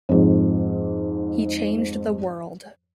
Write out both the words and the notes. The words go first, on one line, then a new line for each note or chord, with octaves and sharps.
He changed the world.
F2 G#2